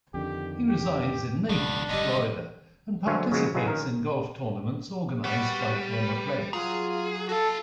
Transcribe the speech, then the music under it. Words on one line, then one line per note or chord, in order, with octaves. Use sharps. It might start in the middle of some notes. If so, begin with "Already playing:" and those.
He resides in Naples, Florida, and participates in golf tournaments organized by former players.
F2 D3 D#3 G4
G4
C#2 B2 D#3 D4
G1 G#2 D3 G3 D#5
D3 F#3 C5 F5 G#5
C#3 F3 F#3 G#3 A#3
F#3 D#4 F4 G#4 B4
D#3 C#4 A#4
G3 B3 F#4
B4
F#3 F4 G#4 A#5
F#4 A4 F5